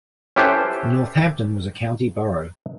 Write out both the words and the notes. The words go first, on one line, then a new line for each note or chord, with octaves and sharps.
Northampton was a county borough.
C#4 E4 G4 A4 B4 C5